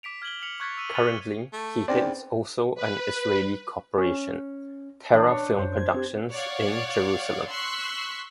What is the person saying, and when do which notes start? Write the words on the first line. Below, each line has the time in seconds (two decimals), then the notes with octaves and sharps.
Currently, he heads also an Israeli corporation, Terra Film Productions in Jerusalem.
0.03 D6 B6 D7 F7
0.22 F6 G#6 D7 F#7 G7
0.42 F6 B6 C#7 D7 F7 F#7
0.60 C#6 F#6 G#6 A6 B6 C#7
0.77 E6 B6 D#7
0.95 C#6 F6 A6 D#7 F7
1.53 A3
1.88 E2 C4 C#4 D#4 C5 D5 G5
2.75 B4
3.98 C#4
5.14 E3 D4
5.31 C#5
5.59 F#2 C5
5.77 G#6
5.94 C4 G4
6.30 C#5 D5 F5 F#5
7.48 C6 C#6 E6 F#6 B6 C7